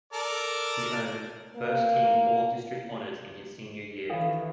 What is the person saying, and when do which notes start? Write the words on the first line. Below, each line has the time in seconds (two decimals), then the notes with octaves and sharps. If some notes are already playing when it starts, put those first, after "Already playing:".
He earned first-team All-District honors in his senior year.
0.13 A4 A#4 D5
1.56 A#3
4.10 D#3 E3 D4 A4 F5